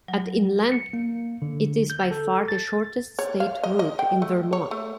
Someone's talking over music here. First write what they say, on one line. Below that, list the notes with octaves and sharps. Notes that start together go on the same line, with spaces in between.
At in length, it is by far the shortest state route in Vermont.
F#3
C#7
A#3
D3
G6
A4
A6
C#5
F5
D#5
D#5
G5
A3
C#5
A3